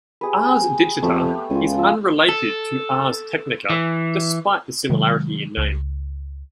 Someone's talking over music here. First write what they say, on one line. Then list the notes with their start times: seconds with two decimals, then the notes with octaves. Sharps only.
ArsDigita is unrelated to Ars Technica, despite the similarity in name.
0.21 G4 G#4 B4
1.02 F2 A3 B3 G4
1.50 C#2 F4 G#5
1.78 F3 E6
2.29 A4
3.70 E3
4.90 C3 D#3 F#3 G#3
5.57 C#2